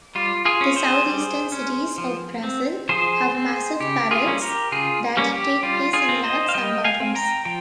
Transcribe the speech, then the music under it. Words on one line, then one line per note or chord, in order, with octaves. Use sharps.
The southeastern cities of Brazil have massive parades that take place in large "sambadromes".
G3 F4
F4 G#4
C#4
G#4 C5
G3
C#4
F3
C4
F3 G#4 C5
C4
C#3 G4
F4 G#4
G3 A#3 C#4
G4 A#4
C#3 F4 G#4
G3 A#3 C#4
G4
G3 F4
F4 G#4
C4
C5 D#5
F5
G3 D#5 G5
F5 G#5
C4
G5 A#5
F3 G5